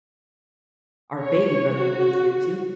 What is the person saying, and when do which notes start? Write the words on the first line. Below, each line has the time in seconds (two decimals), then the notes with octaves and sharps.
our baby brother lives here too.
1.20 C#5
1.74 F#4